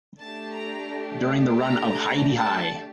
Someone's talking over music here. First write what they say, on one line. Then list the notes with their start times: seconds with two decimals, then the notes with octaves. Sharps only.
During the run of Hi-de-Hi!
0.19 A3 D4 G4 A5
0.54 A#5
1.61 A#5
2.33 A5